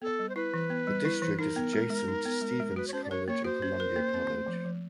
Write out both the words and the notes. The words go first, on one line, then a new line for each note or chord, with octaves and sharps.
The district is adjacent to Stephens College and Columbia College.
B3 A4
G3
C5
E4 B4
E3
B3
G3
E4
E3
D#4 A#4
B3
G#3
G#3
D#4
B3
G#3
G#3
F#4 B4
C#5
C#4 C5
D5
A#4 C#5
A#3 C#5
F#4 C5
C#4
A#4
A#3
C4
A3
F3
F3